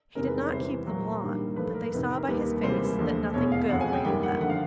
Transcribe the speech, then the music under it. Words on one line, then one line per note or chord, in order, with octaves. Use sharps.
He did not keep them long, but they saw by his face that nothing good awaited them.
E2 C3 D#3 G#3 A#4
B4
C#5
C2 C3 E3 C5
A#2 F#3 A#3
G2 D#3 G3 A#3
A2 F3 A3 B4
A#4
F2 C3 D#3 B4
A#4
D#2 D#3 G3 A#3 B4
C#2 C3 E3 G3 A#3 C5
D#2 D3 F3 A3
E2 B2 G#3 C#5
F5
F2 C#3 F3 G#3 F#5
G#5
G5
F#2 D#3 G3 A#3 G5
F#5
D3 F3 F#5
F5